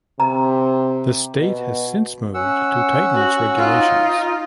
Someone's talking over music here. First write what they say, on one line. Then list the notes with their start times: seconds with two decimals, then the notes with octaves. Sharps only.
The state has since moved to tighten its regulations.
0.20 C3 A#5
1.39 B2
2.34 C#4 F#5 E6
3.14 F#4
3.57 D#4 F4